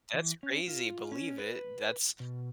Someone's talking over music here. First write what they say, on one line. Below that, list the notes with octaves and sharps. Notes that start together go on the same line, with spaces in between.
That's crazy, believe it, that's
E3
C#4
F4
C#4
B4
B2